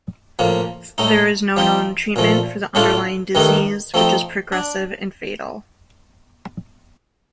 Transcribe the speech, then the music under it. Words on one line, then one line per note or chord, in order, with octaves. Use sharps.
There is no known treatment for the underlying disease, which is progressive and fatal.
A2 F3 A#3
A2 A3 D#4
F3 C4 D#4
A#2 F3 A3
A2 A3 D4 F4 A4
G2 D#3 A3 D#4
F3 A3 C4 D#4
D4